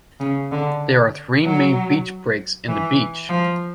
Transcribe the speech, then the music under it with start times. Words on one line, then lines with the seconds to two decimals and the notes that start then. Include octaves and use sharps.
There are three main beach breaks in the beach.
0.20 C#3
0.51 D3
1.44 F#3
2.68 E3
3.29 F3